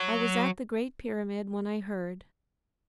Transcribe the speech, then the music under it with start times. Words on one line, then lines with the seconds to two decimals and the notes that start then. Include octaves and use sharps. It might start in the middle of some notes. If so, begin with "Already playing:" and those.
I was at the Great Pyramid when I heard.
Already playing: F#3